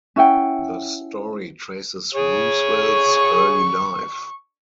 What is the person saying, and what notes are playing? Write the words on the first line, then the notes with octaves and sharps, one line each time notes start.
The story traces Roosevelt's early life.
C#4 E4 F#5 G5
G#4 C#5
C#6